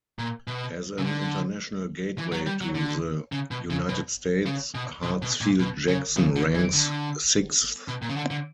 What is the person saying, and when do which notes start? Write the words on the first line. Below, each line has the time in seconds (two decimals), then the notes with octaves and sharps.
As an international gateway to the United States, Hartsfield-Jackson ranks sixth.
0.19 A#2
0.47 B2
0.98 C#3
1.04 D3
2.18 E3
2.32 F#3
2.47 G3
2.61 F#3
2.75 D3
3.32 C#3
3.51 B2
3.70 C#3
3.89 B2
4.46 C#3
4.75 B2
5.03 B2
5.22 B2
5.41 A#2
5.60 B2
5.88 C#3
6.17 C#3
6.36 D3
6.55 E3
6.74 D3
7.88 B2
8.02 A#2
8.09 C#3
8.16 D3
8.31 D3